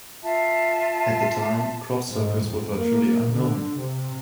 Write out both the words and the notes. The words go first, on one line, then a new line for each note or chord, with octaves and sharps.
At the time, crop circles were virtually unknown.
F4 E5 A5
G#2
F2
A#3
D3
C3